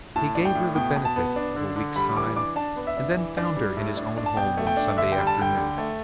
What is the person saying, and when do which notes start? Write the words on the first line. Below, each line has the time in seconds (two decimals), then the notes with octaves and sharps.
He gave her the benefit of a week's time, and then found her in his own home one Sunday afternoon.
0.16 A2 A5
0.35 D4
0.45 G5
0.55 A2
0.75 B2 G5
0.96 B2
1.05 A5
1.16 B3
1.36 D4
1.56 D3
1.76 D3
1.96 G3 B5
2.16 E3 D6
2.36 D4 D6
2.56 D4 A5
2.76 B3
2.87 E5
2.97 D4
3.17 E3
3.37 D4
3.56 G3
3.77 A2
3.97 D4
4.17 D4
4.26 A5
4.37 B2 G5
4.57 A3
4.67 G5
4.77 D4
4.97 D3 E5
5.12 G3 G5
5.27 A5
5.37 D3 G5
5.57 D3
5.78 A3